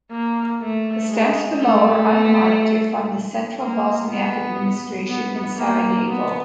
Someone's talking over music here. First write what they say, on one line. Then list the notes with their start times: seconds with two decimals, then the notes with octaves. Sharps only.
The stamps below are unmarked if from the central Bosniak administration in Sarajevo.
0.11 A#3
0.62 A3
1.11 G#3
1.60 A3
3.60 A#3
4.08 B3
5.08 B3
5.57 A#3
6.07 B3